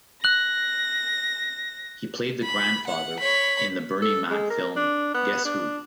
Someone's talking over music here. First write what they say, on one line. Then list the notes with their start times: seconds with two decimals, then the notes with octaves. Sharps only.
He played the grandfather in the Bernie Mac film "Guess Who".
0.24 F#6 A#6 F#7
2.43 B5
2.87 F#5
3.19 C#5 B5
4.02 A4
4.31 G#3
4.50 A#4
4.76 D4
5.14 B3
5.45 D4